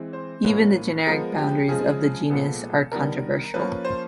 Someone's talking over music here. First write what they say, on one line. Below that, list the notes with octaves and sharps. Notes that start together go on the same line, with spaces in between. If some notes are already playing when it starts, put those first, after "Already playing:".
Even the generic boundaries of the genus are controversial.
Already playing: E3 G#3 C4
C5
A2 F3 A#3 C#4 B4
F3 G#3 B3 A#4
G4
C#3 F3 G#3 G#4
A#2 F3 G#3 B3 A4
D#3 G3 B3 D4 A#4
F3 A#3 C#4 B4
C5